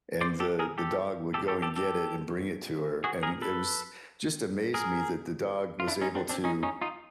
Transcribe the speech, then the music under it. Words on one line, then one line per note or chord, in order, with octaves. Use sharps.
and the the dog would go and get it and bring it to her, and it was Just amazed me that the dog was able to
C5 D5
G4 A4
G#4 A#4
G4 A4
G4 A4
G4 A4
G4 A4
G4 A4
F#4 G#4
G#4 A#4
A4 B4
G#4 A#4
F4
D4 E4
C#4 D#4
C4 D4
C4 D4
C#4 D#4
C#4 D#4
D#4 F4